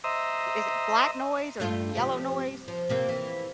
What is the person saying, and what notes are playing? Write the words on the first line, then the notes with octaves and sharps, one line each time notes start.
is it black noise or yellow noise, is
C5 D#5 E5 A#5
G2 A3 F4
C3 F3
F3
C3 A#3 C4
E3